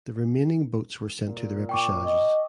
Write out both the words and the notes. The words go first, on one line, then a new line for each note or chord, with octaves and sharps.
The remaining boats were sent to the repechages.
A#2
G5 C#6 D6
D#5